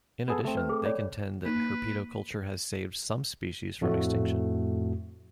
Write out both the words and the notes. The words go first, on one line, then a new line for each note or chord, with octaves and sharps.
In addition, they contend that herpetoculture has saved some species from extinction.
B3 G#4 A4
A3 C4
B4
G#4 A4
C#5 D5 B5
A#3 D#4 B4
F2 A2 A3 F#4